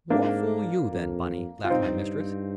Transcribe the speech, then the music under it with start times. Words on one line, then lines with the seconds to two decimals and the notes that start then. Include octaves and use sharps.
"More fool you, then, Bunny," laughed my mistress.
0.10 G#2 A#3 D4
0.91 F2
1.64 F4
1.70 G2 C4 D#4